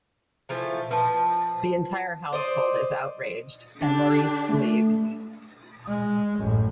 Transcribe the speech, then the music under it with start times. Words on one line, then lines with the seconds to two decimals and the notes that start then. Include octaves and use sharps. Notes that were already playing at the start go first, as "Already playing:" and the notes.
The entire household is outraged, and Maurice leaves.
0.49 E3 F3 A3
0.91 F3 B4 A5
2.33 C5 D5 D#5
3.81 D3 D4 G4
4.49 A3
5.87 G#3
6.39 A1 F#2